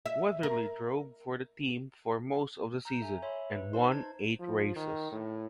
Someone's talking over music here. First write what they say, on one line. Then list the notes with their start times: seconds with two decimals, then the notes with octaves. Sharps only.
Weatherly drove for the team for most of the season, and won eight races.
0.06 E5
0.43 A#4
2.85 A#5 G6
3.00 A4 E5 G#5
3.22 C#5 E5 B5 C6
3.50 B4
3.73 D#4 C5 A5 C6
3.92 G#6
4.40 F3
4.76 D#3
5.12 A2